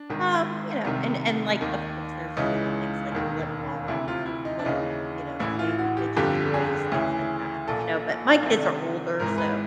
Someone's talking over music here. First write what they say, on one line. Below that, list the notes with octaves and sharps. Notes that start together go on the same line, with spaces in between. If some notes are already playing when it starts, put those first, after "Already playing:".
uh, you know, and and like, of course, there's, you know, things like lip balm or little m you know, maybe fidget toys, things like that. You know, but my kids are older, so,
Already playing: D4
G#1 G#2 D#3
C2 C3 D#3
D#2 D#3
C#2 C#3 E3 D#4
E1 D#2 D#3
D2 C3 E3 E4
F4
E4
D#4
D4
D#2 C#3 E3 D#4
A1 A2 E3 E4
F4
F#4
G4
G1 F2 D3 G4
G#4
D2 C#3 E3
A#1 A#2 A4
C2 C3 D#3
G#1 G#2 E3 A#4
B4